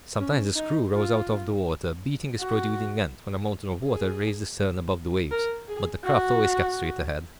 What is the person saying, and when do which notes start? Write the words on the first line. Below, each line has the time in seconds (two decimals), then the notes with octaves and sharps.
Sometimes the screw rose out of the water, beating its protruding end, when a mountain of water raised the stern above the waves; but the craft always kept straight ahead.
0.19 C#4
0.55 D#4
0.92 F4
2.39 F#4
3.85 G#4
5.31 A#4
5.68 G#4
6.04 F#4